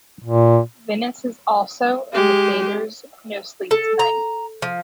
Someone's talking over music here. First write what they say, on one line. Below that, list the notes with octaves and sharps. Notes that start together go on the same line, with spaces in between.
Venice is also in The Faders' "No Sleep Tonight".
A#2
G#3 G4
A4
A#5
F3